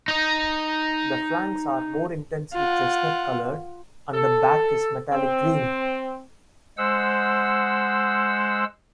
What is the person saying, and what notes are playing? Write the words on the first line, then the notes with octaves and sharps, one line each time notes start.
The flanks are more intensely chestnut colored and the back is metallic green.
D#4 D#5
F4 F#5
A4
C4
G#3 C5 F#5 E6